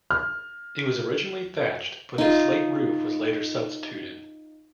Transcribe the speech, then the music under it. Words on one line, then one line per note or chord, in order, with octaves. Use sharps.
It was originally thatched, but a slate roof was later substituted.
F6
D#4 F4